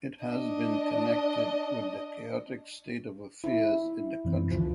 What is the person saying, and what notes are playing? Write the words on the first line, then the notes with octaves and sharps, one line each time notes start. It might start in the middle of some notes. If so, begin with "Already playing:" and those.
It has been connected with the chaotic state of affairs in the country.
D4 D#5
E4
F#2 E3 C4
C#2 D3 E3 F3